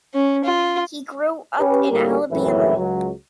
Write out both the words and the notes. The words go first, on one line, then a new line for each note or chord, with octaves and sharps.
He grew up in Alabama.
C#4
F4
C#4 G4 B4
D2 A2 G3 A#3
G#1 F#2 A2 C#3 E3 E4
C#2 F#3